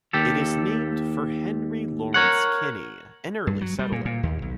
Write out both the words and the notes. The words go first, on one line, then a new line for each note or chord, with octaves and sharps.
It is named for Henry Lawrence Kinney, an early settler.
D#2 G4 A4
A#4 C#5 F#5
G2
F#3
G3
A#2
A#2
D#2
B1